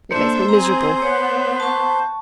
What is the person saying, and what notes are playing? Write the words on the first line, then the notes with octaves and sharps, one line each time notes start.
It makes me miserable.
A#3 D4 A4 C5 E5
C4 G#4 A#5
B3 C#5
A5 C#6